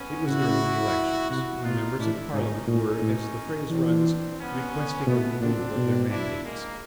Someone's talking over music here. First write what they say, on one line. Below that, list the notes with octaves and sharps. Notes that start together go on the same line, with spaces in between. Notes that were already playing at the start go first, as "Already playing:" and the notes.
It was during the elections, when members of Parliament were, as the phrase runs, requesting a renewal of their mandates.
Already playing: B3 C#4
C#3 E4 F#4
C3 E4 F#4
B2 D#4 F4
A2 D4 E4
G#2 C#4 D#4
A#2 C#4 D#4
A2
E3 C4 D4
B3 C#4
B2 A3 B3
A#2 C4 D4
B2
D4 E4
G#3 A#3